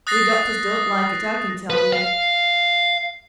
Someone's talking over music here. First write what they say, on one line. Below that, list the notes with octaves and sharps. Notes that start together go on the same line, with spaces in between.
We doctors don't like it, I can tell you!'
D#6 F#6 A6 A#6 C7
B4
F5